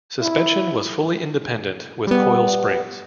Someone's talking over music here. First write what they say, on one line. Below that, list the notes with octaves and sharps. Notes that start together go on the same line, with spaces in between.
Suspension was fully independent with coil springs.
E4
G3 B3